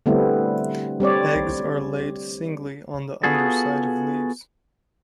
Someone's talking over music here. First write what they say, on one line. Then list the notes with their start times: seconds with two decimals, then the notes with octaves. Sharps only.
Eggs are laid singly on the underside of leaves.
0.06 D3 G3 A3 B3 C4 E4
1.00 G3 C4 C#5 D5
3.23 B3 F4 F#4 G#4 A4